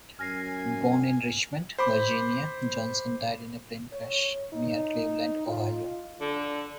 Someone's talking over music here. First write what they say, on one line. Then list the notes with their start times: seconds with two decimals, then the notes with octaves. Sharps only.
Born in Richmond, Virginia, Johnson died in a plane crash near Cleveland, Ohio.
0.19 F#2 G#5 F6 A#6 C7
1.79 C5 B5 D6
3.92 C#5
4.53 D#4
5.47 F4
6.21 D3